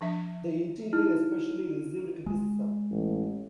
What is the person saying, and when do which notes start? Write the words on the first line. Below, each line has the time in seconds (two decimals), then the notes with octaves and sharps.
The interior, especially, received criticism.
0.01 F3 D4 E5
0.93 D#4 E4 F6
2.26 G#3
2.91 A1